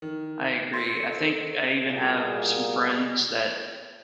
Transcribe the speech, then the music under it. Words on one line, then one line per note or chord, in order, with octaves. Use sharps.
I agree, I think I even have some friends that
D#3
A3 C4 A4 C6
C#7
A#2 G3 A#3 F#4 G#4